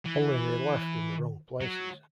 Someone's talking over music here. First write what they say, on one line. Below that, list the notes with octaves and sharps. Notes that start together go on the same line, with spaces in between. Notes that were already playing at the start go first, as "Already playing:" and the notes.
Only they laughed in the wrong places.
E3
F#3